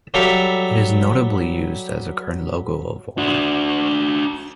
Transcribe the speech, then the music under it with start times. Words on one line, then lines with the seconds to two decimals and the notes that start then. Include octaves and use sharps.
It is notably used as the current logo of Walmart.
0.14 F#3 G3 G4 A4 E5 F5
3.18 D4 F#4